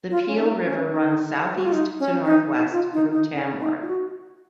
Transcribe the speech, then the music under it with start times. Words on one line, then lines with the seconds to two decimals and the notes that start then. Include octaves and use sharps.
The Peel River runs southeast to northwest through Tamworth.
0.11 F4
0.28 C#4
0.38 D#4
0.65 C#4
0.91 D#4
1.56 F#4
1.64 F4
1.72 D#4
2.00 C#4
2.25 D#4
2.53 D#4
2.72 F4
2.94 D#4
3.12 D#4
3.33 C#4
3.60 D#4
3.82 F4
3.87 F#4